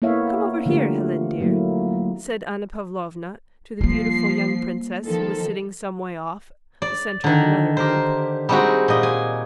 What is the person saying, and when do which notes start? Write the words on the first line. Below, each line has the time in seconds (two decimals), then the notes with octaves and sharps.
"Come over here, Helene, dear," said Anna Pavlovna to the beautiful young princess who was sitting some way off, the center of another group.
0.02 A#3 B3 E4 C#5 E5 F5
0.66 D3 F3 A3 F4 G4 A#4
1.40 F#3 A3 A#3 E4
3.81 F3 G3 A#3 C7
5.04 D#3 F3 A4
6.82 D5
7.24 D3 D#3
7.77 G4 A#4 C5
8.49 G3 G#3 C4 D#4 F#4 G4
8.88 A#2 D#5
9.03 G#5